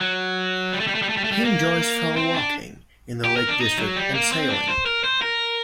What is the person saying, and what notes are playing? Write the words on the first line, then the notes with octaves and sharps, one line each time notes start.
He enjoys fell walking in the Lake District and sailing.
F#3
G3
A3
G3
A3
G3
A3
G3
A3
G3
A#3
C4
D4
G4
A#4
D4
D#4
F#3
G3
A#3
C4
D4
C5
A#4
C5
A#4